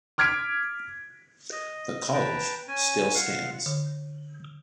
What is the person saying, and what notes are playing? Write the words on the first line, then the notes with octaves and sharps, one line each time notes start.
The College still stands.
D6 F6 G#6 B6 D7
D#5
B4 G5 A5 A#5
C#4 G#5
F4 F5 F#5
D3